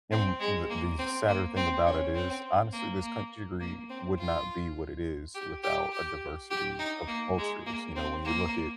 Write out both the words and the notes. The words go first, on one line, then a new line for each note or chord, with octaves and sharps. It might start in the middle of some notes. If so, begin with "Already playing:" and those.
And the the sadder thing about it is, honestly, this country gri would not be what it is without a diversity of cultures, you know, when you look it,
C4
G#3
A#3
C4
A#3
C4
C#4
C4
A#3
A#3
A#3
C4
F4
G4
G4
G4
G4
D#4
A#3
G#3
A#3
C4
A#3